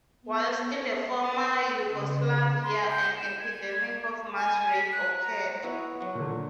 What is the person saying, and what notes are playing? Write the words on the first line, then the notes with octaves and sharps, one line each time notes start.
Whilst in the former Yugoslavia an epidemic of mass rape occurred.
B3
B4
C#3
C6
G6
E7
G#6
G#5
B6
F#6
A#5
B3 E4 F#4
F#3 F#4
A#2 D3